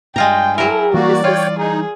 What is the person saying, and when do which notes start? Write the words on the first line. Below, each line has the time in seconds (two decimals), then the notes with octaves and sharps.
"Oh, this is"
0.16 G2 G#3 F4 G5 A#5
0.58 F#3 E4 A#4
0.94 E3 G3 A#3 F#4 D5
1.24 F4 C#5 G5
1.59 D#4 G#4